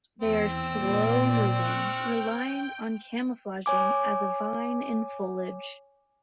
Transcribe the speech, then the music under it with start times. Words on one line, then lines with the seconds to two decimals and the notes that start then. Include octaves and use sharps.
They are slow moving, relying on camouflaging as a vine in foliage.
0.22 E2 C4 E6
0.70 A#2 D5
1.53 C#6 F6 F#6
2.02 G5
3.66 C#5 G#5 D6